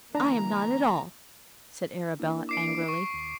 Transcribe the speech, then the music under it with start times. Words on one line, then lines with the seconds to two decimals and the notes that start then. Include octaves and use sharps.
"I am not at all," said Arabella, angrily.
0.15 D3 E3 A#3 D4 A#5
2.19 A#3 D4 E4
2.49 D6 C7 D7
2.88 C#6
3.14 D#2